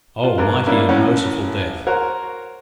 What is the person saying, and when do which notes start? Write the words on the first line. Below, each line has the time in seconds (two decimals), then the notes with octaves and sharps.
Oh, mighty and merciful Death!
0.24 F4
0.38 G2 A#4
0.66 G3 A#3 C#4 D4 E4
0.89 A1 A2 C#4 F#5
1.87 F#4 A#4 C5 C#5